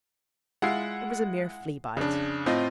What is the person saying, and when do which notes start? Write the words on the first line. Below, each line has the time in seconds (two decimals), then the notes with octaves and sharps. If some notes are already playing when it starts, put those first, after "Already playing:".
It was a mere flea-bite.
0.62 G#3 E4 F4 F#5 C7
1.97 F2 C#3 D4
2.46 A2 C4 F4 D#5